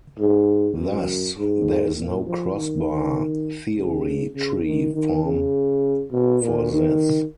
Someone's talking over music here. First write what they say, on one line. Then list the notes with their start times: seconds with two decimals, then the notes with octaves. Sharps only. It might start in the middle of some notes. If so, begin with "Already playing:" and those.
Thus, there is no X-bar Theory tree form for this.
0.18 G#2
0.78 F#2
1.37 G#2
1.98 A#2
2.26 F3
2.56 D#3
3.75 C#3
4.35 C#3
4.64 D#3
4.93 D#3
5.24 C#3
6.12 B2
6.41 A#2
6.71 D#3